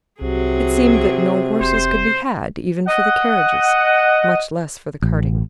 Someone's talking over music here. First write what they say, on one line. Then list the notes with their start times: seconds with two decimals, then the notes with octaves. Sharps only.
It seemed that no horses could be had even for the carriages, much less for the carting.
0.21 C2 C3 F#3 G#4
1.61 F1 C5
2.88 D#5 F#5
5.02 A1